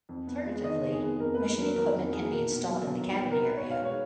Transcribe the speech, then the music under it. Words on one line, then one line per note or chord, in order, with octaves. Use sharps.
Alternatively, mission equipment can be installed in the cabin area.
F2
B3
G#3
D#3 D#5
F2
G#4
B3
G#4
F2 A#4
A#3 B4
F#3 A#4
D#3 A#4
F2 A#4
A#3 G#4
B1 A#4
B3
F#3
B2
B1
B3
A#4
B1 B4
B1 C#5
F5
G#3 C#5